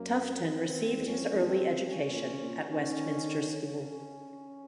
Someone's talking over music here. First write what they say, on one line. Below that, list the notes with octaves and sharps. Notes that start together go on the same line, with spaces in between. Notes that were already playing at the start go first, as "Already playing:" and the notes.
Tufton received his early education at Westminster School.
Already playing: F#2 A#3
C4
C4
E2
F2 C#4
E2
C4
C#4
B2
A#2
A#2
D#3 C#4
C#4